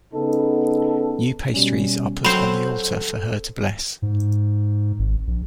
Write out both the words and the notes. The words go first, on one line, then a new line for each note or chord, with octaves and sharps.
New pastries are put on the altar for her to bless.
C#3 B3 D#4 A4
B2 G3 C#4
F#3 C4 A4 C5 B5 E7 F#7
G#2
G#1
A#1